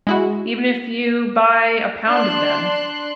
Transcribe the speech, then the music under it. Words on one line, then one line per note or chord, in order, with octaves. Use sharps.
even if you buy a pound of them.
G#3 E4 F#4
D4 C6 F#6